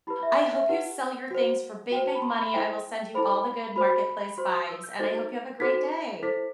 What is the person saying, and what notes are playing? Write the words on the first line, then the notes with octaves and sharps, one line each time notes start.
I hope you sell your things for big, big money. I will send you all the good marketplace vibes, and I hope you have a great day.
E4 G4 B4 B5
E5
D#5
E5
E4 G4 B4 F#5
F#4 C5
F#4 C5 G5
A5
B5
C6
B5
E4 A4 C5 G5
E4 A4 C5 B5
F#4 C5 B5
F#4 C5 C6
D#6
E6
G6
D#4 F#4 A4 C5 A6
D#4 F#4 A4 C5 B6
E4 A4 C5 B6